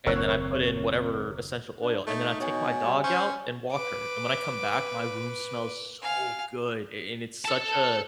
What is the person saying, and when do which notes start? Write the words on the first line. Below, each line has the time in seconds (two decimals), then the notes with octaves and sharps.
and then I put in whatever essential oil, and then I take my dog out and walk her, and when I come back, my room smells so good, a and it's such a
0.07 F#1 D#2 C4 A#4 C#5 E6 F#6
1.82 D4
2.07 A3 D#4
2.40 B2 C#5 G#5
2.83 G3
3.04 C#4 C5
3.72 B4 D6
6.02 F5 G#5
7.46 A4 A5